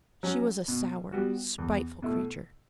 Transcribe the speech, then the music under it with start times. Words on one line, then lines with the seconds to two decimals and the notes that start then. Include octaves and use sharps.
She was a sour, spiteful creature.
0.23 F#3 C#4 F#4
0.68 B2
1.12 G3 B3 F#4
1.58 E2
2.02 B2 A3 E4